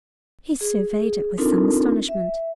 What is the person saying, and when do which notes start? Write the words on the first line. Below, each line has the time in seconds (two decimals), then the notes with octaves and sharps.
He surveyed it with some astonishment.
0.61 G#4
0.91 G#4
1.38 C4 D4 D#4 F4 A4 A#4
2.09 E5